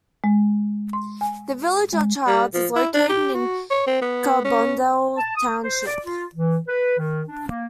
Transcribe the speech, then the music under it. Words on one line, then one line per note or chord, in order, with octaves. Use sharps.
The village of Childs is located in Carbondale township.
G#3
C6
G#5
G#3
G3
F3
E4
D4
G4
F#4
C#5
C4
B3
C#4
A5
D#6
C5
D5
F4
E3
B4
D#3
D4
A#3